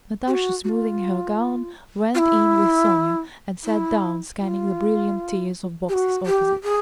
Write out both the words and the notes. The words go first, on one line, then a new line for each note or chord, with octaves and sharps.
Natasha, smoothing her gown, went in with Sonya and sat down, scanning the brilliant tiers of boxes opposite.
G4
F#4
F#4
F4
F4
E4
E4
F4
G4
F#4
G4
G#4